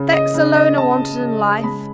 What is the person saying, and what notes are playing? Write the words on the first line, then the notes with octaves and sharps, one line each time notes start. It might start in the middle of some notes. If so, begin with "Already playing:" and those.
Facts alone are wanted in life.
Already playing: C#3
D#5
C#3
D#5
C#3 A5
C#3
G#3 B5